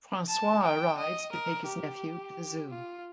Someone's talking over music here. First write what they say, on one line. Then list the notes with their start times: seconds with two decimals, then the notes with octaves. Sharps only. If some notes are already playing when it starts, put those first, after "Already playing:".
Francois arrives to take his nephew to the zoo.
0.28 A5
0.62 G5
0.98 D#5
1.32 A#4
1.66 G4
2.70 F4